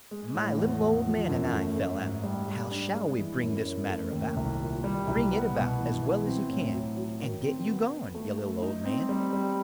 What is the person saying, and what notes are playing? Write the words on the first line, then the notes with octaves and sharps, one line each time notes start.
"My little old man and I fell out, How shall we bring this matter about? Bring it about as well as you can, And get you gone, you little old man!"
G#3
A2
E2
E2
F3
F#2
A3
A3
G#2
G3
G3
D4
G#3
E3
F#2
F#2
A3
D#2
C2
A#2
G3
C2
B3
B2
E3
E3
C4
A2
F#3
F#3
D#3
C4
B3
B3
A3
A3
D#4
C4
G3
G3